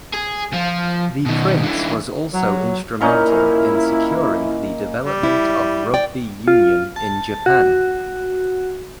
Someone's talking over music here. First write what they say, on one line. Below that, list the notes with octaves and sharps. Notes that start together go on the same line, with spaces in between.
The prince was also instrumental in securing the development of rugby union in Japan.
G#4
F3
B2 D#3
D3 E3
F#3
A#2 C#4 D#4 E4
G3
E4
D5 G5
F4
A5
F#4